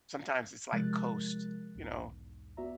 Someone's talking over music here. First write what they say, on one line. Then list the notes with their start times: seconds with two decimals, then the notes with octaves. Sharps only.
Sometimes it's like coast, you know,
0.72 C3 F3 G#3 A#4 F#6 A6
1.75 B1 E2 G#2
2.57 B3 F#4 D5 E5 A#5